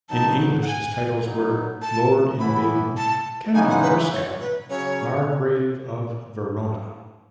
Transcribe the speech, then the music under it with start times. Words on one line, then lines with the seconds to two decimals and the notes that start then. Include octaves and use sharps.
In English, his titles were: Lord in Baden, Count of Brisgau, Margrave of Verona.
0.09 D#3 F#3 B3 D#4 A5
0.62 F#5
0.67 G#5
1.24 F#3 B3 D#4
1.82 A5
2.39 A2 E3 B3 E4 B5
2.97 A5
3.54 C#3 E3 G#3 B3 D#4 G#5
3.69 F#5
3.83 B4
3.97 E5
4.12 C#5
4.40 B4
4.69 C#3 F#3 C#4 C#5